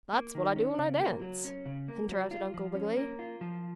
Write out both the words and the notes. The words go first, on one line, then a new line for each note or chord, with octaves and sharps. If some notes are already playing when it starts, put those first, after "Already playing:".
"That's what I do when I dance," interrupted Uncle Wiggily.
A#3
D#3
C#4
C#3
A#3
F#3
C#4
C#3
A#3
F#3
F4
F3
C#4
A#3
F4
F3